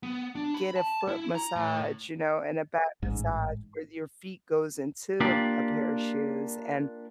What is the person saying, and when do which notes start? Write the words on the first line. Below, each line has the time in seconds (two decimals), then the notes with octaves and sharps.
get a foot massage, you know, and a back massage where your feet goes into a pair of shoes and,
0.03 B3
0.35 D4
0.54 B5
0.76 A5
1.08 E4
1.35 A#5
1.56 A2
3.02 A1 G#2
5.20 A#3 D4 F4 G4 D5